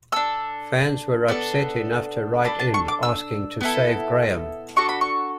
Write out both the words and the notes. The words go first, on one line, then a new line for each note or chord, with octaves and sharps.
Fans were upset enough to write in, asking to save Graham.
D4 A4 E6
B3 D4 A4
D4 A4 B5
A5
C#6
D6
E6
B3 E4 A4
D4 F#4 A4 C#6
B5
C#6